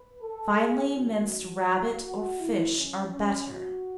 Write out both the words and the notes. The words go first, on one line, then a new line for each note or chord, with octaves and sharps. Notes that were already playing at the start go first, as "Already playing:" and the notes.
Finely minced rabbit, or fish are better.
Already playing: B4
A4
G#4
F#2 D#3 F#3 F#4
F#4
F#2 D#3 F#3 E4
C#4
C#4
F#4